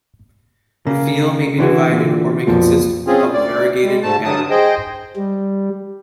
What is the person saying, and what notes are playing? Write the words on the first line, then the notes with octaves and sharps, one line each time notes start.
The field may be divided or may consist of a variegated pattern.
C#3 A#3
D3 E3 F#4
A#2
B1 F2 A#2 F3
C4 C#4 F4 G#4
D2 D5
G3 G#3
G#2 A3 A5
G2 D3 F#3 A5 D#6
G#4 C5 D#5 G5
G3